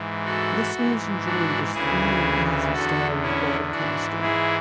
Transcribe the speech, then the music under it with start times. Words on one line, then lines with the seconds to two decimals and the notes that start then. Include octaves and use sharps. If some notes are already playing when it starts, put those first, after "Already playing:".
Listeners enjoyed his free and easy style of broadcasting.
Already playing: G#2 E3
0.24 F#4 A4
0.75 G#2 E3
1.24 D4 F#4
1.73 D2 C#3 E3 E4 G#4
2.72 E2 D3 F#4 A4
3.22 C#4 E4
3.71 G#2 E3 D4 F#4
4.21 E4 G#4